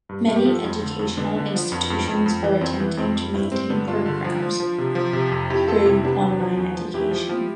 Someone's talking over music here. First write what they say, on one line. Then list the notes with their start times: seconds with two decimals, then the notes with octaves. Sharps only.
Many educational institutions are attempting to maintain programs through online education.
0.09 G2
0.28 G2
0.36 G4
0.45 F3 F4 A4
0.64 F2
0.82 D3
0.99 F2
1.17 D3 B3 D4
1.36 D3
1.54 F3
1.72 F2
1.90 F2
2.08 F2
2.26 F2
2.44 E3
2.61 F2 C4
2.80 E3 B3
2.97 F2 C4
3.16 F2
3.34 G2 C4 E4
3.52 G2 C4
3.70 D3 B3 D4
3.87 G2 D4 F4
4.05 D3
4.24 F3
4.42 F3
4.60 F3
4.78 C3
4.95 F3
5.13 C3
5.32 F2
5.50 F2 E4 G4
5.67 F2 F4 A4
5.86 C3 E4 G4
6.03 C3 B3 D4
6.21 E2 B3 D4
6.40 F3
6.57 E2
6.75 F3
6.94 E2 E4 G4
7.11 F3
7.29 F3